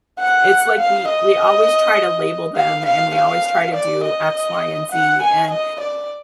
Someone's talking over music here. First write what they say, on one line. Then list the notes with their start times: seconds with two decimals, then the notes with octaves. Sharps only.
It's like we we always try to label them and we always try to do X, Y, and Z, and
0.19 F#5
0.78 F5
1.08 D#5
2.56 F5
2.86 F5
3.15 F5
3.75 D5
4.04 D#5
4.92 F#5
5.23 G#5
5.51 D#5
5.81 D5